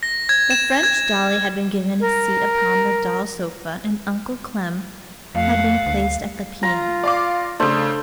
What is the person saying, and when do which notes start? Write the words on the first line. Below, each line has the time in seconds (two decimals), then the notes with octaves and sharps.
The French dolly had been given a seat upon the doll sofa and Uncle Clem had been placed at the piano.
0.03 A#6
0.29 G#6
0.51 E7
0.83 G#6
2.00 A#4
5.35 F2 A3 F5 F#5
5.86 D2
6.63 F4 A#5
7.04 D5 F5 D6
7.60 C#3 A3 D4 A4 C5